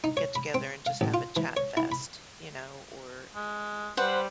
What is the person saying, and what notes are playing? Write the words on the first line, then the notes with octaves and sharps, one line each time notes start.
get together and just have a chat fest", you know, or
D#4
C#5
B5
C4
F5
A1
F4
E3
C#5
E4
B5
G#3
G3 B4 C5 F#5